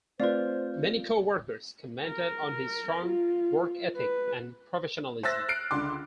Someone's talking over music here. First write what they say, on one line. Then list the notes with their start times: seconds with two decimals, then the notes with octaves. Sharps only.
Many co-workers commented on his strong work-ethic and professionalism.
0.20 A3 C4 F4 G4 B4 C5 D5 F5
2.06 A#4
3.05 F4
3.96 B4
5.23 C5 E5 E6 F#6 A6 A#6
5.49 F6 F#6 C7 D7
5.71 C#2 D3 C6 D6